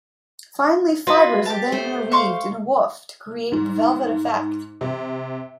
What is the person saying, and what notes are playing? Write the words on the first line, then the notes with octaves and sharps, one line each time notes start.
Fine leaf fibres are then interweaved in a woof to create the "velvet" effect.
F4 F#4 B4 E5
G4 A5
A3 C5
F5 C6 C#6
G#2
C3